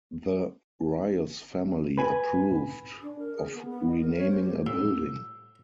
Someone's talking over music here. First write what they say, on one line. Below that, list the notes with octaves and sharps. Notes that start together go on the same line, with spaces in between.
The Rios family approved of renaming a building.
B4 G#5
D4
A#4
G#4
B3
B3
D#5
A#4
C#5
C5
G4
A2 E6